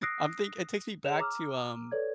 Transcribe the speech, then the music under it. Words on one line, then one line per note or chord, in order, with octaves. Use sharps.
I'm think it takes me back to, um
D#6 E6 F#6 A#6 C7 D7
G#4 C#5 E7 F7
A#5 D6 E6 F6
A4 B4 C#5 D5 G#6